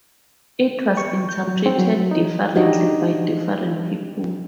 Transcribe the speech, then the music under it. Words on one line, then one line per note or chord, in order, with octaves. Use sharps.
It was interpreted differently by different people.
C#6
G6
F#3
C4
F#3
D#4
D4 D#4 F#4 G4 D#5